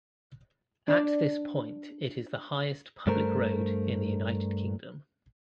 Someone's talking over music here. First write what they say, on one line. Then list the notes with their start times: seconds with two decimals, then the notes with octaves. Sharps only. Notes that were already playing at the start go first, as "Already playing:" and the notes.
At this point it is the highest public road in the United Kingdom.
0.88 D4 D5
3.07 G2 A3 A#4 C5